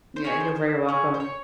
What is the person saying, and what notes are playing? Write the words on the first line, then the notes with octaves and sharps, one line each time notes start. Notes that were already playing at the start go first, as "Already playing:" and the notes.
Yeah, you're very welcome.
C5
C#4 G#4 C#5
C5
C#4 G#4
C5
C#5